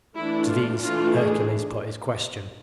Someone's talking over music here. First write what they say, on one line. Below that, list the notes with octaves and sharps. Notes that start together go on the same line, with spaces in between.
To these Hercules put his question.
E3 A3 D4 E4
F4
E3 A3 D4 F4
G#4